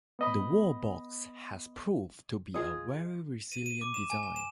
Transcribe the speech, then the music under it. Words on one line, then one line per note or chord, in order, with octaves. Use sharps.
The wall box has proved to be a very resilient design.
B3 D#5 B5
F4 G#4 D#5
D#7
D#7
D6
E7
G#5
G#5
E7